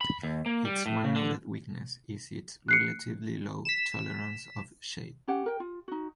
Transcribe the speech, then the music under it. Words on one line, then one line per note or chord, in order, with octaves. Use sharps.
Its one noted weakness is its relatively low tolerance of shade.
B5
D#2
A#3
G3
A2
C#3
D3
F#6 C7 C#7
B6 E7
C#4 G4 F#5
A#4 G5
F4
D#4 F#4